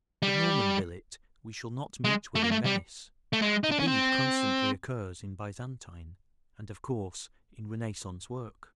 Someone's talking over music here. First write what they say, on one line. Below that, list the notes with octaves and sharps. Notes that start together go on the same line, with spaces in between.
The Norman billet we shall not meet with in Venice; the bead constantly occurs in Byzantine, and of course in Renaissance work.
G3
G#3
A3
A#3
A3
G3
A3
G#3
D#4
D4
C#4
C4